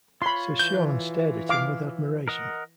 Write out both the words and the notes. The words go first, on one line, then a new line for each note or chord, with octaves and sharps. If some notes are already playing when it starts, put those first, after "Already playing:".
Sir Sean stared at him with admiration.
F4 C#5 B5 C6
E3 G6
F5 D6
A#4 D#5 F#5